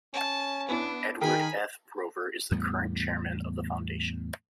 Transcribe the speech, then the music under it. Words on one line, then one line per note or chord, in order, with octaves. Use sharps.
Edward F. Rover is the current chairman of the Foundation.
C#4 A5
B3 D4 E4
D#3 G#4 A#4 G5 G#5 B5
E2 A2 G3 B3